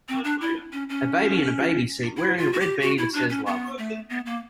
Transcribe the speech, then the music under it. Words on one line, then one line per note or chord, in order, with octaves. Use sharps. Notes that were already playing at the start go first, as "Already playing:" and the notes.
A baby in a baby seat wearing a red beanie that says love .
C4
D4
E4
C#4
C#4
E4
F4
F#4
G4
F#4
E4
D4
C#4
B3
A3
B3
A#3